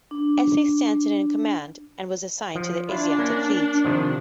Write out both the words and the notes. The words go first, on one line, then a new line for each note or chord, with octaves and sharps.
S. A. Stanton in command, and was assigned to the Asiatic Fleet.
D4
F3
D4 E4 F4
A#3 C#4
C3 D#3 F3